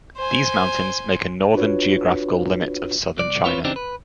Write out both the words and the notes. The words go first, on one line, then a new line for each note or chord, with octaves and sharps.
These mountains make a northern geographical limit of southern China.
C5 G#5
D4 F4 F#4 B4 C#5
C2 D5
C4 F4 B4 C#5
C#3 E3 C4 D4 D#4 G4
B4